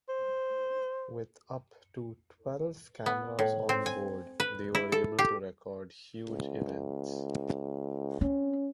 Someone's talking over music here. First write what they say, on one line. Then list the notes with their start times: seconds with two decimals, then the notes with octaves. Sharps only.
With up to twelve cameras on board they were able to record huge events.
0.09 C5
3.06 B3
3.39 A2
3.69 C4
3.86 G#5
4.40 B4
4.75 E4
4.92 A4
5.19 G4
6.28 C#2
8.21 C4 C#4